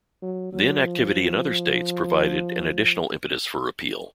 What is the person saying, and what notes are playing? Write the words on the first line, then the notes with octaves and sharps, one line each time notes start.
Then activity in other states provided an additional impetus for repeal.
F#3
F#3
F3